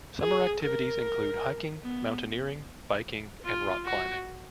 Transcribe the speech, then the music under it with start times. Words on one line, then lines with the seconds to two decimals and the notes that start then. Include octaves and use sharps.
Summer activities include hiking, mountaineering, biking and rock climbing.
0.21 G#4
0.61 A#4
1.82 B3
3.44 F4
3.85 F#4